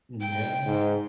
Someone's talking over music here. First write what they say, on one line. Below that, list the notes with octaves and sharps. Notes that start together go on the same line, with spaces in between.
Mm, yeah.
G5
G#2